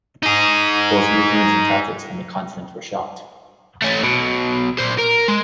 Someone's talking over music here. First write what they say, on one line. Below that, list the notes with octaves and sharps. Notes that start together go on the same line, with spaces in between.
Both Lutherans and Catholics on the continent were shocked.
D#4 G#4
A3 C#4
B1 B2
A#2 C5
A#4
G#3